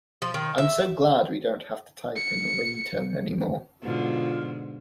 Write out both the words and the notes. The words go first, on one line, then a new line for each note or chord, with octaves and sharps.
I'm so glad we don't have to type in a ring-tone anymore.
F3
D#3
E5
C#7
G#2 B2 D3 F4